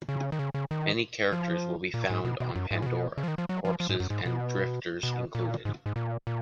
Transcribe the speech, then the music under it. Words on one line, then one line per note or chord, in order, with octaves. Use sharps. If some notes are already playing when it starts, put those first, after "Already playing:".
Many characters will be found on Pandora, corpses and drifters included.
C#3
D#3
C#3
C#3
D#3
F3
A#2
G#2
B2
B2
F#2
G#2
C#3
B2
C#3
F3
D#3
F3
F#3
F3
F3
G#2
F#2
G#2
B2
B2
A#2
G#2
G#2
A#2
A#2